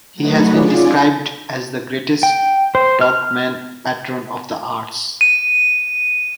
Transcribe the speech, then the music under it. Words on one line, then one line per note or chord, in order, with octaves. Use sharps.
He has been described as the greatest Turkmen patron of the arts.
F#3 A3 D#4 F#4 B4
C#4 F4 G#4 D5
G5
C5
F6
D#7